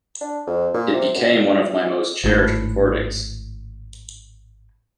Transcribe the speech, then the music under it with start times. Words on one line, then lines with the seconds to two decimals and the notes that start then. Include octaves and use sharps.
It became one of my most cherished recordings.
0.21 D4
0.47 F2
0.74 A#2
0.94 C3
1.15 F#2
1.34 D#3
2.24 G#1 A2